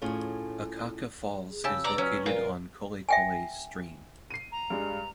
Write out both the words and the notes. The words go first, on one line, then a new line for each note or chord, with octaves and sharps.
Akaka Falls is located on Kolekole Stream.
A2 C#4 F4 G#4
G#4
C#3 G4 A5 E6
B4 D5 A#5
F#3 C#4
A#2 F4 A#4
E5 G5 G#5
C7 D#7
A#5
G2 G3 G#3